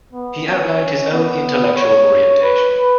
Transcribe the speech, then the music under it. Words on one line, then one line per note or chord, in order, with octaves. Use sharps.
He outlined his own intellectual orientation.
B3
C#4
B3
C#5
B4